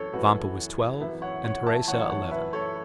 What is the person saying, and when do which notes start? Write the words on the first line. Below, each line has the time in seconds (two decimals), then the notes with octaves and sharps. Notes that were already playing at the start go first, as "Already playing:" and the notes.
Vampa was twelve, and Teresa eleven.
Already playing: F#2 E3 A4 C#5
0.13 F#2 E3 F#4 B4
1.00 F#2 E3 B4 E5
1.22 C#5 F#5
1.44 C#5 F#5
1.66 E5 A5
1.88 F#2 E3 C#5 F#5
2.09 C#5 F#5
2.31 B4 E5
2.53 A4 C#5